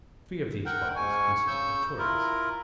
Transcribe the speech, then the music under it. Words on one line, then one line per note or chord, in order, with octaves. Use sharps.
Three of these bodies consisted of Tories.
A#4 F#5 G5
G#2 G#5 C#6
C#3 E6 G6
E4 F4 A#4 A#5